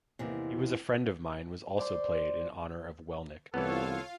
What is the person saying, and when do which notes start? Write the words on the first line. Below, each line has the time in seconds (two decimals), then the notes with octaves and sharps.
"He Was a Friend of Mine" was also played in honor of Welnick.
0.19 E2 C3 D#3 A#3
1.77 C5 D5 C6
3.54 C2 E3 B3 F4 A4 C#5 F5